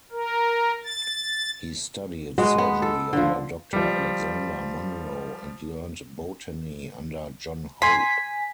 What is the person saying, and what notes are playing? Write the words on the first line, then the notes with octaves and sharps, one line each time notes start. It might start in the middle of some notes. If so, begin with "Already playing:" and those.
He studied surgery under Doctor Alexander Monro and learnt botany under John Hope.
A#4
A6
G#3 B3 F#4 D#5
B3
A4
D3 F3
F3 G3
G#5 C6 B6